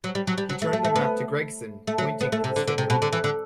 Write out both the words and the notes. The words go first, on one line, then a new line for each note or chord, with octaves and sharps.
He turned the map to Gregson, pointing with his finger.
F#3
G3
F#3
G3
F#3
A3
A3
A3
B3
A3
F#3
B3
A3
C3
D3
D3
C3
B2
D3
E3
D3